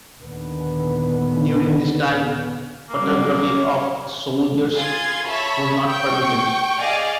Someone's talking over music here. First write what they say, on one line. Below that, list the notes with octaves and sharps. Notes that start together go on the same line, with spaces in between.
During this time, photography of soldiers was not permitted.
D#2 A#2 D3 D#3 B3
F#3 G3 A#3 C#4
C#5
F4 G#4 C6 G#6 A6
C#5 E5 A5 B5 C#6
G5 C#6 G6
G#4 D5 D#5 F5 G#5